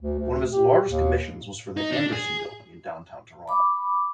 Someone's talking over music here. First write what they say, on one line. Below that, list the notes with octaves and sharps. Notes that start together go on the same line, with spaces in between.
One of his largest commissions was for the Anderson Building in downtown Toronto.
D2
D2
G4
D#2
D#4
D4
G#4
B5 D6